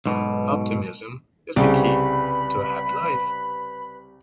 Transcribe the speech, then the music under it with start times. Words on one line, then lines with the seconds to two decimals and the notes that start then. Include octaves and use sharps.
Optimism is the key to a happy life.
0.06 B1 G#2 B2
1.56 C2 C#3 G3 B4 B5